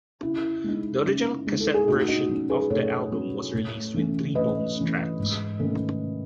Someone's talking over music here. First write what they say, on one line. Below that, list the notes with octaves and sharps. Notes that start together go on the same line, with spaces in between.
The original cassette version of the album was released with three bonus tracks.
C#3 E4
G#3 D#4
C#3
G#3 D#4
A4
G#4
A2 D#4 F#4
D#4 F#4
F#3 C#4
G#4 B4
A2 A4 C#5
F#3 C#4
A2
E3 A3 C#4
A2 B4 D#5
E3 A3 C#4
G#2
D#3 A3 C#4